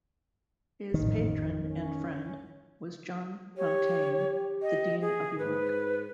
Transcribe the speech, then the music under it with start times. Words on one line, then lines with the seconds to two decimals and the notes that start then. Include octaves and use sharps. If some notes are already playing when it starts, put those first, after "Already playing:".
His patron and friend was John Fountayne, the Dean of York.
0.94 A1 F2 G#2 D#3
1.69 C#4
3.57 G4 C#5
4.62 D#5
5.01 G#4
5.39 G#2 B4